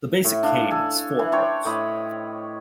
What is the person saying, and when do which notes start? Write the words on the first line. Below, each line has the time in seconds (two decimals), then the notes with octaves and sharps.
The basic cane has four parts.
0.24 A2
0.43 D4 F5
0.71 A4 G#5
1.19 E3
1.32 D4 C5 C#5 G5
1.65 A2 D#5 B5